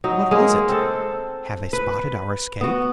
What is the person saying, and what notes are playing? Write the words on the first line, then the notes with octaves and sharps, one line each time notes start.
What was it? Had they spotted our escape?
F#3 D#4
G#3 A#3 G#4
C4 A4
B4
B3 F#4